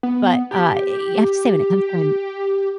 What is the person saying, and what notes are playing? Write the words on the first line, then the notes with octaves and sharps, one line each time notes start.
But, uh, you have to say when it comes to when
B3
G4